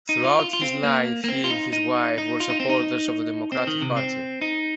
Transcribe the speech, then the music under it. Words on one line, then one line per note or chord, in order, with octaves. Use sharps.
Throughout his life, he and his wife were supporters of the Democratic Party.
D#4
F4
F4
F4
C4
A#3
A#3
C4
F4
D#4
D#4
D#4
F4
D#4
C4
D#4
C4
D#3
C3
C4
D#4